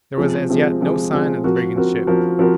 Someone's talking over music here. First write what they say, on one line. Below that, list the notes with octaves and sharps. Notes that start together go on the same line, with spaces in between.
There was as yet no sign of the brigand ship.
C3 F3 G#3
C3 F3 G#3
C3 F3 G#3
C3 F3 G#3
F3 C4 F#4 A#4
F3 C4 F#4 A#4
F3 C4 F#4 A#4
F3 C4 F#4 A#4